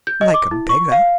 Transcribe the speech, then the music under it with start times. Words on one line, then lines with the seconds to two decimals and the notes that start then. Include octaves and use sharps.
"Like a beggar."
0.07 G6
0.21 D#5
0.34 D6
0.51 E4
0.69 C#6
0.92 F5